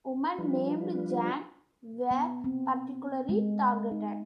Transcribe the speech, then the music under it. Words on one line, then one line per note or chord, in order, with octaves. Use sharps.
Women named Jan were particularly targeted.
F3 G3 D4 F4 B4
B3
C4
G#3
D#4